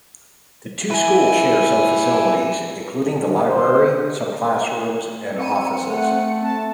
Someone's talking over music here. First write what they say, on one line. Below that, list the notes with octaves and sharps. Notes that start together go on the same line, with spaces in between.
The two schools share some facilities, including the library, some classrooms and offices.
E4 B4 G#5
D#3
C5
C4 E6 C#7 D#7
A3 F#5 C#7
A5